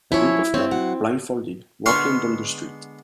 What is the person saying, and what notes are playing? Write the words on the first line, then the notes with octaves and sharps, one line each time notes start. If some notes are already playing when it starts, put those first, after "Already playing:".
A group of men, blind folded, walking down the street.
F3 C#4 E4 C#5
C4 C#5 E5
F#3 F#5
D3 G#3 B3 C6 C#6 F6